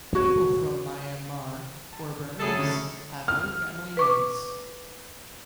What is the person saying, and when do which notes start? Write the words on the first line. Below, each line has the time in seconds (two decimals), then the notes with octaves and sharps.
People from Myanmar or Burmese, have no family names.
0.15 F#4 B4 C#5
1.92 A5
2.40 F#2 A2 C#3 G#4 A4
2.59 D3 C#4
3.28 F6
3.97 B4 C#6 D6